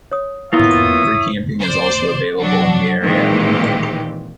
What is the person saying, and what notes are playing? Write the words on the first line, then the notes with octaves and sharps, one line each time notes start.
Free camping is also available in the area.
C#5 D#6
A#3 B3 E4 F4 C#5 E5 D#6
C5 D5
F#3 D4 F#4
A#2 D#3 E3 G#3 C4 G4